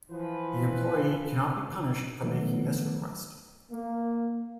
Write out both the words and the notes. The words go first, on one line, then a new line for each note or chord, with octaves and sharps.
The employee cannot be punished for making this request.
E3 F3 B4
D#3 F3 F#3 A3 B3 D4
A#3